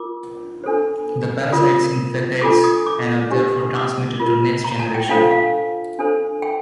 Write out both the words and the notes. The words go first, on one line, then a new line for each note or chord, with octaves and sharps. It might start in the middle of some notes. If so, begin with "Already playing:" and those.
The parasites infect eggs and are therefore transmitted to next generation.
Already playing: F4 A#4 D6
D4 A4 C5
F4 A#4 D#6
D4 F4 A4 D6
D#6
D6
D4 G4 C5
D6
F4 A#4
A#5
A5
G5
D4 F4 A4 C5 F5
F5
D4 A4 C5
G5